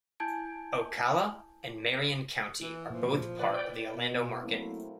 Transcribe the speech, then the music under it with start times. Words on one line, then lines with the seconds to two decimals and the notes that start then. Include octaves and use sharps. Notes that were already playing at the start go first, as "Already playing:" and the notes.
Ocala and Marion County are both part of the Orlando market.
0.20 E4 G#5 A5 G6 G#6 D7
2.60 E3
2.90 A#2 F3
3.39 B4 D5
3.54 D5 G5
3.94 B2
4.41 F#3 A3 A#3 C4 E4